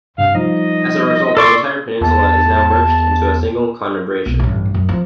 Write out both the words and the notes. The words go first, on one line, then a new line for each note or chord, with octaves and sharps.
As a result, the entire peninsula is now merged into a single conurbation.
G2 C3 F5
F3 G3 D#4 D#5
A4 D5 C6 C#6
E2 A5
B1
A1 G2
F#2
F3